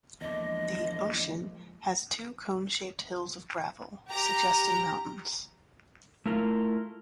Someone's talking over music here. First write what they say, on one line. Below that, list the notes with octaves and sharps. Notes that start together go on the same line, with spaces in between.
The "Ocean" has two cone-shaped hills of gravel, suggesting mountains.
E2 D3 F3 G#3 A#3 D#5
G4 A#5
A3 E4 F4 A#4